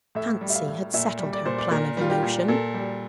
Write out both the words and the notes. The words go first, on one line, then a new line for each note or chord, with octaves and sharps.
Fancy had settled her plan of emotion.
A2 E5
G3
E5
F5
A2
A#2 E5
G3
D5
A#2 C5
D5
A#2 A#4
G3 F4
G4
A#2
A#2 A4
G3